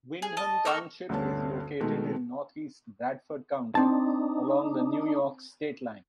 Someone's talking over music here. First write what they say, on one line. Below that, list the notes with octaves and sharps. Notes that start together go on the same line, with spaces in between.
Windham Township is located in northeast Bradford County, along the New York state line.
G#4
D#5 A5
A#3 D#4 A4 C#6
D2 G2 D3 B3 C#4 A5
B2 D#3 G#3 A3
C4 D4 D#4 A5